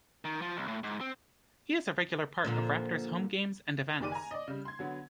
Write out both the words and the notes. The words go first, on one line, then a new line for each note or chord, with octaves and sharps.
He is a regular part of Raptors home games and events.
D#3
F3
C2
A2
G#2
C4
A#2 D3 F3
F#1 D#3 G4 D5 D6 D#7
G#5 A#5
D5 D#5
C#3 G3
C6 G#6
D3 F#3 B3